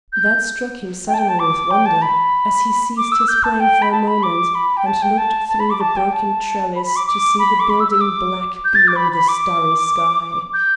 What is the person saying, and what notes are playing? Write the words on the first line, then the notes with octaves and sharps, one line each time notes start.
That struck him suddenly with wonder, as he ceased his playing for a moment and looked through the broken trellis to see the building black below the starry sky.
G6
G5
A5
G5
A5
D6
G5
A5
B5
D6
E6
G6
A5
G5
B5
A5
B5
D6
B5
G5
A5
G5
A5
A5
B5
D6
A5
G5
A5
B5
B5
D6
D6
B5
D6
B5
E6
E6
D6
G6
A6
D6
B5
B5
D6
G6